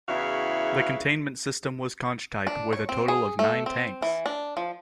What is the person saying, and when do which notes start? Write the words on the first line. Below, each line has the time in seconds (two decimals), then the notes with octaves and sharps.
The containment system was Conch type with a total of nine tanks.
0.09 E2 C#3 E4 F#4 E5 F5
2.47 D4
2.73 C#5
2.89 C4
3.08 G#4
3.39 A3
3.66 C4
4.02 E3
4.26 D4
4.57 F3